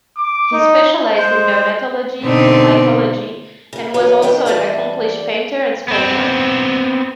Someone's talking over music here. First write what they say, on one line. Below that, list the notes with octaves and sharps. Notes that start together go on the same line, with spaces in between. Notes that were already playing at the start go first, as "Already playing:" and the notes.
He specialized in dermatology and mycology, and was also an accomplished painter and sculptor.
D6
D#4
G#3 C5
B2 D3 B3 C4 D4 D#4
C#3 A#3
C#3 E3 F#3 B3 C#4
D#3 B3 D4 B4 G5
E2 G3 G#3 G4 D5 A5
B3 C4